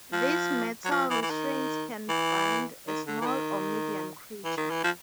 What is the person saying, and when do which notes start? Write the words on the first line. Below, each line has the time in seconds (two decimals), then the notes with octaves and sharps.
These metal restraints can bind a Small or Medium creature.
0.12 F3
0.85 F#3
0.91 F3
1.10 E3
1.23 E3
1.30 D#3
2.09 E3
2.87 D#3
3.07 D3
3.21 E3
3.26 D#3
4.44 E3
4.57 D#3
4.70 E3
4.84 F3